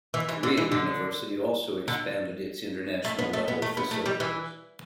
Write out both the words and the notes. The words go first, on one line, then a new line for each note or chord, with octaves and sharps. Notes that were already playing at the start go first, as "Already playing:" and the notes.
Korea University also expanded its international-level facilities.
E3
E3
D3
E3
D3
D3
A3
B3
A3
B3
A3
B3
A3
G3
E3